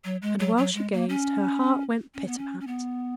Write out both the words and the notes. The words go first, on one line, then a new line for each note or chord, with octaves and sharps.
And while she gazed her heart went pitapat.
F#3
G#3
F#3
F#3
G#3
A#3
C#4
C#4
B3
C#4
C#4
B3